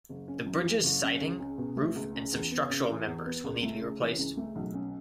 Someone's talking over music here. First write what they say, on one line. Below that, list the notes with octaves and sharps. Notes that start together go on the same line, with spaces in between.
The bridge's siding, roof and some structural members will need to be replaced.
F#1
C#4
F#2
E3
F#1
C#4
C#2
C#4
B2
A3
C#2
C#4
E2
B3
C#3
E3
E2
B3
C#2
A3
C#3
E3
C#2
A3
B1
C#4